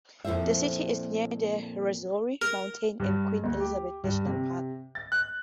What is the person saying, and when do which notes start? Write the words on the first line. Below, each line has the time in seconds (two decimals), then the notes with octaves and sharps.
The city is near the Rwenzori Mountains and Queen Elizabeth National Park.
0.24 F2 A#2 E4 C5 E5
2.42 A#4
3.00 G2
3.44 D2
3.60 G4
4.04 G2
4.26 C3
4.95 A6
5.12 F#6